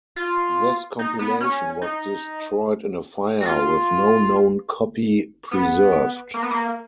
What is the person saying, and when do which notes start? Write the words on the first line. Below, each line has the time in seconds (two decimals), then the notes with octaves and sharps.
This compilation was destroyed in a fire, with no known copy preserved.
0.16 F4
0.99 D#4
1.19 B3
1.40 C#4
1.82 D#4
3.41 F#4
3.46 F4
5.51 B3
6.34 A#3
6.43 B3
6.51 A#3